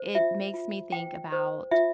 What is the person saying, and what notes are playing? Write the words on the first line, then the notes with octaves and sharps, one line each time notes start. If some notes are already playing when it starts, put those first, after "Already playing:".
it makes me think about
Already playing: C5
F4 E5
F4
C5 G5
C5
F4 E5